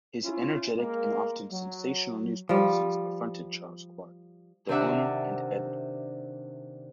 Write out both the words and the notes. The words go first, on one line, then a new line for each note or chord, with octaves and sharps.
His energetic and often sensational news policies affronted Charles Clark, the owner and editor.
C#4 E4 F4
G#3 A#3
F#3
F3 G3
C3 D#3 D4 D5 E5 F#5